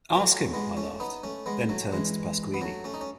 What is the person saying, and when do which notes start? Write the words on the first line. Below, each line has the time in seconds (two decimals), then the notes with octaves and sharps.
Ask him, I laughed, then turned to Pasquini.
0.15 B3
0.20 F#3 A3
0.54 G#3 B3
0.77 A3 C#4
1.00 B3 D#4
1.24 A3 C#4
1.46 G#3 B3
1.69 F#3 A3
1.92 E3 G#3
2.54 B3
2.61 F#3 A3
2.84 A3 C#4
2.94 D#4
3.01 C#4